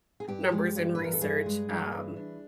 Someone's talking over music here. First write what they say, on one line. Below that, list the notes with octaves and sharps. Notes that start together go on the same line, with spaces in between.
numbers and research, um,
G#4
G2 G4
G#3
G2
B4
E3
A#4
A4
G2 G#4
G#3
G2
E3
D4